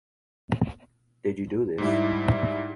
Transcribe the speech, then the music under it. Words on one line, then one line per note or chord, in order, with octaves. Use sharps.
Did you do this?
G#2 G3 E4